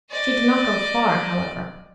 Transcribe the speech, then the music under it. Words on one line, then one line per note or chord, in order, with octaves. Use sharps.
She did not go far, however.
D5 D#5